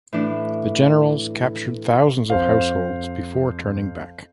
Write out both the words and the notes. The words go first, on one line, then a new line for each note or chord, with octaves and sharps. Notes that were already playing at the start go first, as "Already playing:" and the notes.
The generals captured thousands of households before turning back.
A2 E3 D4
F2 C5 F5